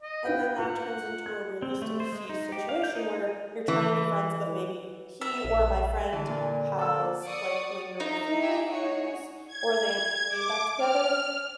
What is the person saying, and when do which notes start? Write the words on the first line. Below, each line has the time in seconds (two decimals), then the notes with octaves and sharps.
and then that turns into a really sticky situation, where you're trying to be friends, but maybe he or my friend has, like, lingering feelings or they end up getting back together.
0.02 D#5
0.25 E4 B4 F5 G5
0.59 F4 F#5
1.26 G#6
1.62 C4
1.82 A3
2.00 C5
2.12 G#3
2.29 D#4
2.52 G4
2.69 F5
2.84 G6
2.95 D#4
3.68 E3
5.21 E5
5.45 A#1
6.13 D3 E3
6.27 A#2
6.78 A#3 A4 E6
7.25 D5 C#6 D#6
8.00 D#4 A#4 E5 A#5
8.38 G4 G#4 E5
8.68 F#4 G#4 C#5
9.47 G#6
10.29 D6
10.77 F6